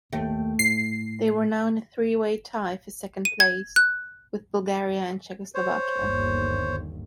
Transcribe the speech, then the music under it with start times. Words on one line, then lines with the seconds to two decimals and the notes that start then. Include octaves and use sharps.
They were now in a three-way tie for second place with Bulgaria and Czechoslovakia.
0.13 D#2 A3 G5
0.59 A2 C7
3.25 D#7
3.40 G#6
3.76 F#6
5.55 C5 C#5
5.99 G1 D#2